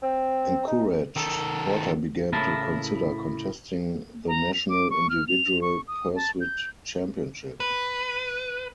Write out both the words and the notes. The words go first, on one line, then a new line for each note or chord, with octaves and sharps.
Encouraged, Porter began to consider contesting the national individual pursuit championship.
C4
D#4
D#3 A4
A2 C#3 E4 A#4 A5
A#5
F7
D6
C#6
F6
F7
C#6
D#6
A5
G6
B4